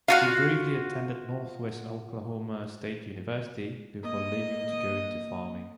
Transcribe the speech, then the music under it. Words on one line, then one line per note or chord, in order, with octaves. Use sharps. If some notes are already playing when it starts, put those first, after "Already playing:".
He briefly attended Northwest Oklahoma State University before leaving to go into farming.
F4 F#4 F5 F#5
A#3 D#5 D#6